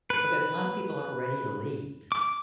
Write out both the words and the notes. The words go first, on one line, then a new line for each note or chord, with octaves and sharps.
because a lot of people aren't ready to leave,
B4
D6